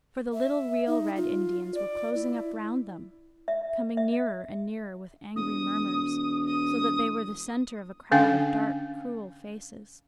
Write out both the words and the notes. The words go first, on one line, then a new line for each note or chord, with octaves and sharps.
For the little real Red Indians were closing up round them - coming nearer and nearer with angry murmurs - so that they were the centre of a crowd of dark, cruel faces.
E5
D#4
F4
D5
E4
E5
E5
E1 D#6
D#6
D3 C#4 D4 F5 G5